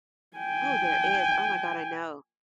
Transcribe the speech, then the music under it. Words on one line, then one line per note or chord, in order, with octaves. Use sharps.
Oh, there is oh my god, I know.
G5 G#5